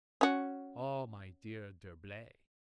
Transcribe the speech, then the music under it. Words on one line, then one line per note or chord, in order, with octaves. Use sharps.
"Oh! my dear D'Herblay!"
C#4 F#4